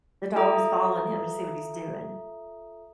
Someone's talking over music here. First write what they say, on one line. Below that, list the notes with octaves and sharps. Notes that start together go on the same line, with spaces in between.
the dog is following him to see what he's doing.
F4 A4 E5 A#5 D#6